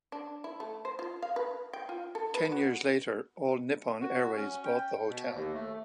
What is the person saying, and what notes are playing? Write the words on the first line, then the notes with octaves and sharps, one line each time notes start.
Ten years later, All Nippon Airways bought the hotel.
D4
E4
A3
C5
F4
F5
B4
G5
F4
A4
B4
F#4
F#4
C#4
G5
B2
D#2
A3